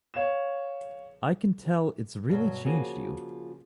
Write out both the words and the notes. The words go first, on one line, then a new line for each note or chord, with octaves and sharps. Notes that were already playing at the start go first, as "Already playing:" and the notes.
I can tell it's really changed you.
C#5 F5 E7
G2 B2 F#3
C#3 F3 A#3 F#4 G#4